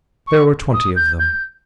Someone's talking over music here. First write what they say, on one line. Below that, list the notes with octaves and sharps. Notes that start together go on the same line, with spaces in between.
There were twenty of them.
C#6
D#6
G6
G6